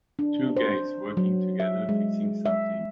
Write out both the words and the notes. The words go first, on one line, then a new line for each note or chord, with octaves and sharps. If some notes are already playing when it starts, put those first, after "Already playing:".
Two guys working together fixing something.
D4
C5
F#3
E5
G#3
E5